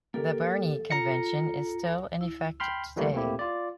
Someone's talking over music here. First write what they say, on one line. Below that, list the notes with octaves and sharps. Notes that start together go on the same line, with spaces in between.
The Berne Convention is still in effect today.
A#3 G4 A4 A#4
F4 A4 A#5 A#6 C#7
E4
G5 B5 C6 F6
E3 G3 A3 A#3
A3 A#3 C4 E4 G4
F4 D5